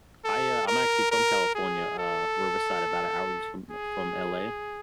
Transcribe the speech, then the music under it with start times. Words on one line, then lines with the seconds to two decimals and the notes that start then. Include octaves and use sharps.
I, uh I'm actually from California, uh, Riverside, about a hour east from from LA,
0.25 A4
0.68 A#4
1.11 A#4
1.55 G#4
1.98 A4
3.71 G#4